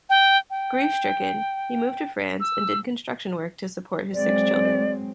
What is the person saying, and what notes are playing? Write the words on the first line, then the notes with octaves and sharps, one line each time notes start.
Grief-stricken, he moved to France and did construction work to support his six children.
G5
G5
E6
F#3 G#3 C4 D5